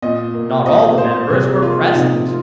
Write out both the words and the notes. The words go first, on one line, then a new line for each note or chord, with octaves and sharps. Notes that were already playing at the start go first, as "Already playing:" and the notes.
Not all the members were present.
A#2 D#5
A#3
A#2 D#5
A#3 C5
C3 G#4
F3 A#3 F4
F4
C3 D#4
F4